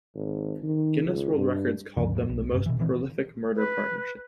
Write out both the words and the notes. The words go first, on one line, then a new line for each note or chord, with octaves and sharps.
Guinness World Records called them the "most prolific murder partnership".
G#1
D#3
C#2
G2
D2 G2 C#3 F3
F2 A2
B1
F1 G2
B2 E3
A#2 D#3 E3 C4
B4